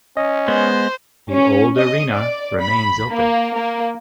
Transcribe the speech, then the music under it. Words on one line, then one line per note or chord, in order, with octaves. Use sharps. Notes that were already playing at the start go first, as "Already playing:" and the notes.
The old arena remains open.
C#4 D#5
G#3 B3 C5
C#4
D#5
D5
B5
A#3
A#3